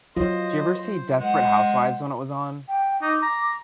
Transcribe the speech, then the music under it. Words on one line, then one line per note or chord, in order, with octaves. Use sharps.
Do you ever see Desperate Housewives when it was on?
F#3 F4 C5 D#5
C5
G#3 C5 F#5
G5
D#4 D6
A#5